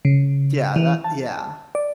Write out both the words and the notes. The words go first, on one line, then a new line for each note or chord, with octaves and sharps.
D yeah, that yeah.
C#3
E3
A5
D5